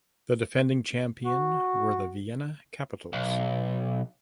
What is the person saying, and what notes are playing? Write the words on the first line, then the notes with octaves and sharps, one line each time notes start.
The defending champion were the Vienna Capitals.
F#4
B1